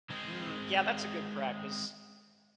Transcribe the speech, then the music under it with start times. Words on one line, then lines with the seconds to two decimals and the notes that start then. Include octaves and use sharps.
Mm, yeah, that's a good practice.
0.11 G#3 C4